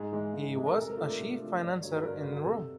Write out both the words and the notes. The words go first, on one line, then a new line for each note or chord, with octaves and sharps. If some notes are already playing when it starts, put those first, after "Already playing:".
He was a chief financier in Rome.
Already playing: G#2 G#4
E3 G#3
G#2
E3 G#3
A#4
C3 A4
A#4
F3 A3 D4 A4
A#4
C3
F3 A3 D4
G2 C#5
D3 F#3 C#5
B4
G2 A#4
D3 F#3
C3 A4